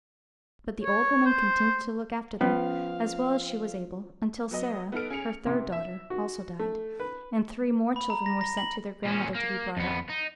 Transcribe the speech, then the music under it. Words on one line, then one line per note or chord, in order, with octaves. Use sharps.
But the old woman continued to look after them, as well as she was able, until Sarah, her third daughter, also died, and three more children were sent to their grandmother to be brought up.
C#5
C5
F3 B3 C#4 F5
F#3 B3 D#5
B3 D#4 A4 F6 D7
C#4 G#4 C#7 F7
C3
E5
F#4
A3
B4
B5
A#5
A#6
A#6
F#7
A#2 C#4
A#3
F2 B3
D#4